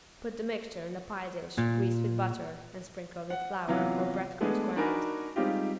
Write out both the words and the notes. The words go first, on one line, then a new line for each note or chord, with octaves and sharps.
Put the mixture in a pie-dish greased with butter and sprinkled with flour or bread crumbs ground.
A#2
F#5
C3 E3 F#3 B3 F4
G#3 A3 B3 D4 G#4
D4 D#4 F#4 A#4 G#5 B5
G3 G#3 C4 D#4 F4 G4